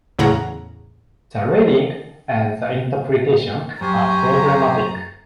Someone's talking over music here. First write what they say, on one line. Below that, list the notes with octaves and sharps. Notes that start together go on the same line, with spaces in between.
The reading and the interpretation are problematic.
E2 A2 C#3 F#5 A#5
F#2 G4 C5 G#5 A#5 C#6